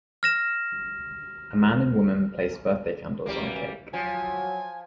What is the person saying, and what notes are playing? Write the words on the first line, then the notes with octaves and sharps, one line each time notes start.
A man and woman place birthday candles on a cake.
F6 A#6 E7
F#2 E3 G3 A#3
F3 F#3 G#5